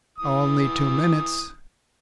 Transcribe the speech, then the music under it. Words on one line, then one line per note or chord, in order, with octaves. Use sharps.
"Only two minutes."
E3 D#6